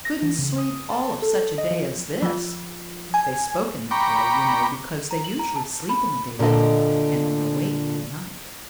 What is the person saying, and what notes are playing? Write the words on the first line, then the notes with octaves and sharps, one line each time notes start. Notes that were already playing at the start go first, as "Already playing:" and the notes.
"Couldn't sleep all of such a day as this." They spoke in that way, you know, because they usually sleep in the daytime and are awake at night.
A#6
E3
C#3
D#6
A5
A4
D#5
F3
F3
G#5
G5 A#5 B5 C#6 D6
A#5
F#7
A#5
A5
B5
A#2 D3 F3 A4 D#5